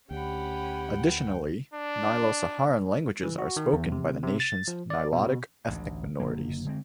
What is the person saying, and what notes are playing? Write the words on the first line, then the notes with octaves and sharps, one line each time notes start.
Additionally, Nilo-Saharan languages are spoken by the nation's Nilotic ethnic minorities.
D2 C#4 G4 F#5 G5 B5
D4
E3
F#4
D#3
E2
C3
C3
A6
F3
D5
B2
A1 D2
F#1 D3 A#3
D3 G#3 C4